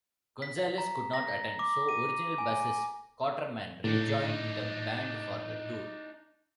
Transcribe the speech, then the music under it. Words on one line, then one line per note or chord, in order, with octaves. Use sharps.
Gonzalez could not attend, so original bassist Cotterman rejoined the band for the tour.
B6
A#5
A#6
D6
D#7
G#5
A2 D4 D#4